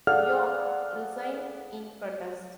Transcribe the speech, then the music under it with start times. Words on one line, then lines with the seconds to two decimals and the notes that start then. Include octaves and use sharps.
York resigned in protest.
0.07 G#4 A4 D5 F5 F#5 F6